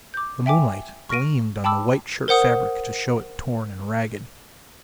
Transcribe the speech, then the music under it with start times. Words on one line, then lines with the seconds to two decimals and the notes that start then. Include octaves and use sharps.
The moonlight gleamed on the white shirt fabric to show it torn and ragged.
0.14 D6 G6
0.46 E5 G5 G#5 D6
1.09 C#6 F6 A#6 D7 D#7
1.64 G5 A5 B5 D6 E6
2.28 A#4 C5 F#5 D#6